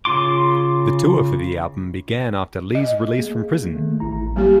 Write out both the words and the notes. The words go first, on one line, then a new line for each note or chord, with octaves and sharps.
The tour for the album began after Lee's release from prison.
C#3 F4 C6 D6
D#5
A#3 G#4
D#3 A3 A#3
A1 E4 A#5
G3 A#3 G4